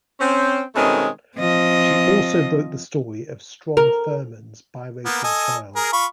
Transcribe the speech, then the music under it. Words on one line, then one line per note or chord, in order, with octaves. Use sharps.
She also broke the story of Strom Thurmond's biracial child.
C4 C#4
B2 D#3 G#3 A3 C4 C#4
F3 C4 D#5
A#4
A#3 B3
A4 D#5 G#5
G#4 A#4
F4 B5 C#6